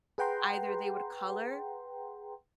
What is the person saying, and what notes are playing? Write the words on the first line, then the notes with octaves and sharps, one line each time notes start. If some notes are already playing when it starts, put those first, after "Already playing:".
either they would color
G#4 B4 F#5 G5 A#5 C6